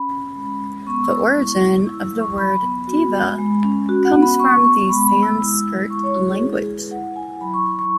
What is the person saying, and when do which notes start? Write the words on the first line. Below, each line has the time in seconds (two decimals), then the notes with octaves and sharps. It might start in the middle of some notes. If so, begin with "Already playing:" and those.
The origin of the word 'deva' comes from the Sanskrit language.
Already playing: C#4 B5
0.11 C#4
0.36 G#3
0.61 G#3
0.87 B3 C#6
1.03 E6
1.12 G#3
1.20 C#6
1.37 E4
1.63 E4
1.87 E4 E6
2.13 F#3
2.20 C#6
2.38 F#3 B5
2.63 B3
2.88 F#4
3.13 G#3
3.38 G#3
3.64 C#4
3.89 F#4
4.05 F#5
4.14 B3
4.23 B5
4.39 B3 C#6
4.64 B3 C#6
4.89 G#3 B5
5.07 B5
5.15 G#3
5.23 E6
5.40 E4 E6
5.66 E4
5.90 G#3 C#6
6.03 C#5
6.15 G#3 F#4
6.28 G#4
6.41 E4
6.53 G#4
6.66 E4 G#4
6.78 B4
6.90 E4 F#5
7.16 E4 G#5
7.41 F#3 B5
7.54 C#6
7.66 E4 C#6
7.79 C#6